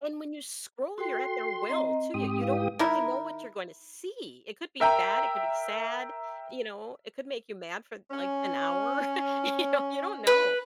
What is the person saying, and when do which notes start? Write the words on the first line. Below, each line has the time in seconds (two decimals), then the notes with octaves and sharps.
And when you scroll, you're at their will to you you don't really know what you're going to see. It could be bad, it could be sad, you know, it could make you mad for, like, an hour, you know, you don't know.
0.98 F#4 A4 G5 C6
1.69 C4 D#5 A#5
2.14 G#2 C4 G4 D#6
2.41 E4 B4 F5
2.79 D#3 E4 A#4
4.80 A#4 E5 G5 A#5
8.11 C#4
10.27 B4